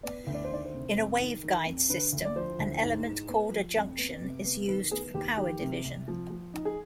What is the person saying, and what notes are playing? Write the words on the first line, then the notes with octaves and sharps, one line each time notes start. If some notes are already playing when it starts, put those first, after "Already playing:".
In a waveguide system, an element called a junction is used for power division.
B3 D5
D2
D5
C5
D#3 D5
C5
C3
F2
D#3
D#3
F2
D3 B4
D2
D5
F3 C5
D2
G#2
G#2
B3
F3
F2
B3
C3
B3
D#3 B4
B3 G#4
D#2 G4
D#3 G4
C3
C2
F3
F3
D#4
G#4